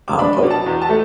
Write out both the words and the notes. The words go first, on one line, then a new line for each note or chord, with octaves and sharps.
Uh, but
D6
D4 B5
B2
A5
E2
A5
A3